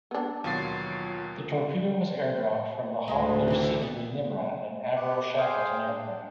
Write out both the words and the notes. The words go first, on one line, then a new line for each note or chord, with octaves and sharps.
The torpedo was air dropped from the Hawker-Siddeley Nimrod and Avro Shackleton aircraft.
B3 D4
D#2 B2 F#3 F4 A6 C7
D2 A2 G#3
D#3 E3
D3
B3
B3 G4 F#5
G#4 C5 F5 G5
D4